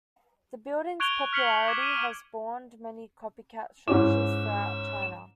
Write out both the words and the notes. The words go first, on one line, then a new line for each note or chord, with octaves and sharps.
The building's popularity has spawned many copycat structures throughout China.
C#6 F#6 G#6 D7 F7 G7
F6 B6 C#7 F#7 G7
D6 G#6
D#7
G#2 C#4 E4 D6 E6